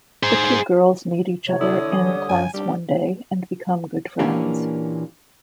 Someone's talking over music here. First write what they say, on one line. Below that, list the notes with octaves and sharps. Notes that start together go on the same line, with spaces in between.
The two girls meet each other in class one day and become good friends.
G#4 C5
C3 C#5
D3 E4 D#6
E3
G3
F#2 G#5
G3 D4
A#2 E3 A#3 C#4 D4 G4